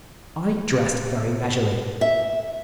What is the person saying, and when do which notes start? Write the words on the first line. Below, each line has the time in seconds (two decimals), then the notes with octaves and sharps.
I dressed very leisurely.
2.01 E5